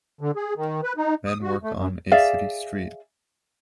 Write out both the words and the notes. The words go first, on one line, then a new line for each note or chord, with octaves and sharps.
Men work on a city street.
D3
G#4
D#3
B4
D#4
D#6
F#4
A3
F#2
G#4 D5 E5 F5